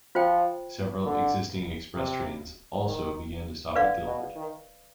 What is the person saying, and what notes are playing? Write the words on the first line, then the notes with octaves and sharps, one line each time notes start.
Several existing express trains also began to stop at Guilford.
F3 F4 C5 G5
D3
C3
D#3
D3 B4 D5 F5
B2
D#3